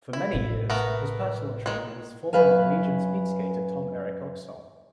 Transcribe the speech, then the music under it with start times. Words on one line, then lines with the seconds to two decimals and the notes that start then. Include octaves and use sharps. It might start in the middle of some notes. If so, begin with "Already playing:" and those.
For many years, his personal trainer was former Norwegian speed skater Tom Erik Oxholm.
0.13 E4
0.32 A1 C3
0.70 A3 B3 A#4
1.66 D#3 G#3
2.33 F#2 F#3 B4 F5 G#5